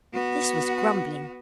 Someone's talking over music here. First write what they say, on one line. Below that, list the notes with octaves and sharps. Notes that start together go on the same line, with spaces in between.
This was grumbling.
B3 F#4